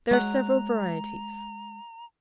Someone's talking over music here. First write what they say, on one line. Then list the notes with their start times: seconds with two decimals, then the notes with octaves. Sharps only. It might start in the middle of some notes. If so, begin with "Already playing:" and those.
There are several varieties.
0.11 F#3 G#3 F#5 A#5